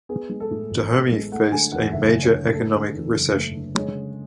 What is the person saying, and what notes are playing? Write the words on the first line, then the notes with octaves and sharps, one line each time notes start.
Dahomey faced a major economic recession.
B3 G#4
G#3
A4
A2
A1
B3
G#3
A3 F#5
D3 G#5
E2 F#5
F#1 E5
A3
C#5
D3
A3 A4
D3
E2
F#1
A3
D3
G#3 C#5
C#3